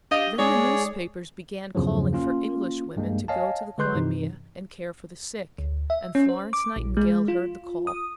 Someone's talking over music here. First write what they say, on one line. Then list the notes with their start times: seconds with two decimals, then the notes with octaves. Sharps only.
Then the newspapers began calling for English women to go to the Crimea and care for the sick, and Florence Nightingale heard the call.
0.11 D4 G4 D#5 F5
0.38 G#3 D#4 G#4 C#5 D5
1.75 B1 E2 G2 C#3 F3 F#3
2.13 A#3 C#4 F4
2.95 B1 G2 G#3 A#3
3.28 C#5 D#5 F5 G#5 A5
3.78 D3 G#3 B4 C6 F#6 G6
3.94 G2 C3 E3 D#4
5.58 D2
5.90 E5
6.15 C#4
6.29 C5
6.53 D6
6.76 A#1
6.97 G#3
7.28 F4
7.87 D#6